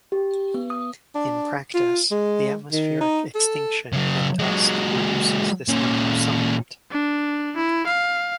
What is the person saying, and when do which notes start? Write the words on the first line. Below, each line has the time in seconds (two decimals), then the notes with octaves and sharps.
In practice, the atmospheric extinction and dust reduces this number somewhat.
0.12 G4
0.54 B3
0.70 D#6
1.15 D4
1.74 F4
2.11 G#3
2.72 D#3
3.01 D#4
3.35 A4
3.93 C#3 F#3
4.39 F#3 G#3
5.69 A#2 C#4
6.91 D4
7.56 E4
7.87 F5